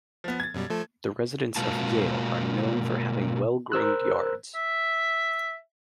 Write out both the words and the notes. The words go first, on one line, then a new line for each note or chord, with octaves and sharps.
The residents of Yale are known for having well-groomed yards.
F3 B3
G#6 A6
F#2 B2 G3
F3 A3 A4
B2 G#3 A#3 F4 F#4 A5
A#4 C5 E6 F#6
E5